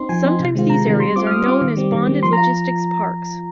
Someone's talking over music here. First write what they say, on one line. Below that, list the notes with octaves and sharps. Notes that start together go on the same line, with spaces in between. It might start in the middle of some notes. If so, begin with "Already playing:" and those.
Sometimes these areas are known as bonded logistics parks.
Already playing: C4 D#4 C6
F3 G#5
C4 D#4
C3
D#3 G#3 C4 F4
C3 A#5
D#3 G#3 C4 F4
G3 C6
C4 F4 D6
F6
G3 D#6
C4 F4 D6
D#3
G3 C4
D#3
G3 C4
F3 C6
A#5
F4